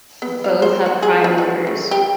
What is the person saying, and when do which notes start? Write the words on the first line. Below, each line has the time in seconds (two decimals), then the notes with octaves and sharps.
Both have prime movers.
0.22 B3
0.44 F5
0.62 C5
0.86 F#4
1.02 G#4
1.24 F#3
1.38 F#4
1.67 A3
1.91 G4